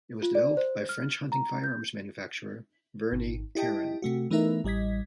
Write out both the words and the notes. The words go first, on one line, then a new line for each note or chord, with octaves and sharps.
It was developed by French hunting firearms manufacturer Verney-Carron.
F4
D5
C5
F6
A#5
G6
G#1
E4 G4 D#5 G5 A5
C3 A3 F#4
E3 A3 B3 D#4 A#4 E5
A1 G3 D#5 G#6 B6